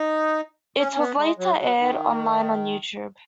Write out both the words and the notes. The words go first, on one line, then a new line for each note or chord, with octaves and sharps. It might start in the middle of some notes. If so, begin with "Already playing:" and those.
It was later aired online on YouTube.
Already playing: D#4
C#4
C#4
B3
G#3
F#3
F#3
D#3